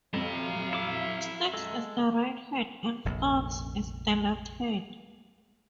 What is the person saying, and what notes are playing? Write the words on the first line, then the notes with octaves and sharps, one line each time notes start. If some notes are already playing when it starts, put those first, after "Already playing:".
Sticks is the right head and Stones is the left head.
F2 F#3 E5 F5 A#5
E4 D6
G#3 A4
F1 A#1